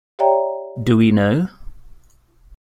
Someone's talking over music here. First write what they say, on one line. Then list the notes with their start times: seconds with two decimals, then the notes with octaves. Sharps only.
Do We Know!?
0.19 G4 C#5 D5 E5 G5 A#5